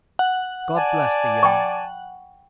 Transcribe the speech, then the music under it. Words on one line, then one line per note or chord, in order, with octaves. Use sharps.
God bless the young!
F#5
D5 G#5 A5 D6
G5 B5 C#6